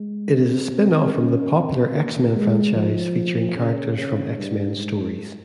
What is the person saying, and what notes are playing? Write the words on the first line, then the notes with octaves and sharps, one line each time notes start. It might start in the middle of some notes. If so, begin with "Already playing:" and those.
It is a spin-off from the popular X-Men franchise, featuring characters from X-Men stories.
Already playing: G#3
C4
C4
C#4
C4
A#3
G#3
F3
C#3
C#3
G2
G#2